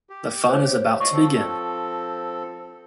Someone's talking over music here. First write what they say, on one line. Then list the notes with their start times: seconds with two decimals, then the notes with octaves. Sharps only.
The fun is about to begin.
0.10 G4
0.49 C5 C#5
1.00 D5 D#5 F5 C#6
1.12 F3 C4 A4